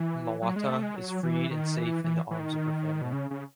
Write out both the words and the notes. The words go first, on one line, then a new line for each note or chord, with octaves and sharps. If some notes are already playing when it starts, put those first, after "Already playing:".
Mawata is freed and safe in the arms of her family.
Already playing: E3
F#3
G#3
A3
G#3
F#3
E3
D#3
E3
E3
E3
D#3
B2
C#3
C#3